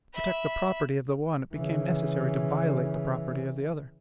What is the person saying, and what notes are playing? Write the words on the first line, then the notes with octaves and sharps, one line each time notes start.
To protect the property of the one, it became necessary to violate the property of the other.
E5 B5
C#3 E3